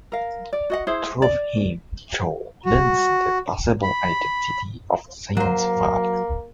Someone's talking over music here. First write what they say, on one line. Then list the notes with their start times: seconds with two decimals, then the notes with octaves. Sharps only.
Through him, Joe learns the possible identity of Simon's father.
0.12 A#4 F5
0.53 D5
0.70 F#4 D#5 F#5
0.87 E4 G#4 C5
1.22 D5
2.65 F#4
3.83 B5
5.37 F#3 A#3 C5